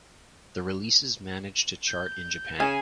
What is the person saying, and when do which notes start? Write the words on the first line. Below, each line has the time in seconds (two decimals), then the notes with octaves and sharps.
The releases managed to chart in Japan.
1.87 G6
2.60 C#3 C#4 G#4 G#5 E7